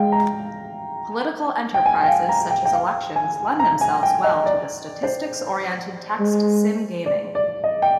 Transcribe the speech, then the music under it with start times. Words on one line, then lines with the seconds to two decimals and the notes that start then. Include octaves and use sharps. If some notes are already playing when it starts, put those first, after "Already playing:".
Political enterprises such as elections lend themselves well to the statistics-oriented text sim gaming.
Already playing: G#3 F5 G5
0.12 A#5
1.74 G5
1.86 G#5
2.03 G5
2.07 F5
2.29 A#5
2.51 G5
2.65 G5
2.73 F5
3.16 G#5
3.59 A#5
3.81 G#5
4.03 G5
4.24 D#5
4.46 D5
5.03 C5
6.19 G#3
7.06 D5
7.35 D5
7.64 D#5
7.82 G5